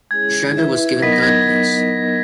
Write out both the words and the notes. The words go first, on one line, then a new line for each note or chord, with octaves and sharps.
Shredder was given third place.
G#3 C#4 E4 G#4 C#5 G#6
E4 B4 E5
F#3 B3 D#4 A#4 D#5 B6
A#6
G#6